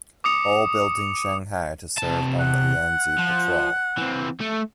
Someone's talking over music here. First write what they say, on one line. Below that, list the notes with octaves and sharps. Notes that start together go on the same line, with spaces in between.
All built in Shanghai to serve on the Yangtze Patrol.
D6 D#6 C#7
C3 A5
F#5
F3
E3 C4
A3